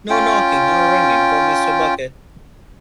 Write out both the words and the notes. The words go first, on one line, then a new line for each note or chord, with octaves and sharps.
No knocking or ringing for Mr. Bucket.
C#4 F4 G5